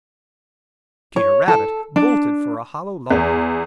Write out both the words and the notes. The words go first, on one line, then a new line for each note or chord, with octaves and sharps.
Peter Rabbit bolted for a hollow log.
C#5
A4
D4
E2